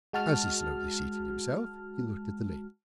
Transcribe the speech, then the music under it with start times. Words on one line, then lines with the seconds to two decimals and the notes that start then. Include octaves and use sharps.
As he slowly seated himself, he looked at the lady.
0.13 G#3 F#4 A5 F6